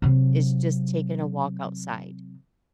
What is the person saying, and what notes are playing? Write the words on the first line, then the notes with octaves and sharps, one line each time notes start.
is just taking a walk outside.
C3 F#3